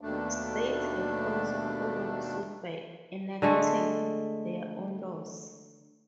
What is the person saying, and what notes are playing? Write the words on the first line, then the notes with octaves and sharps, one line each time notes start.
States have also followed suit by enacting their own laws.
D#2 B2 A3 D4
D3 G#3 A3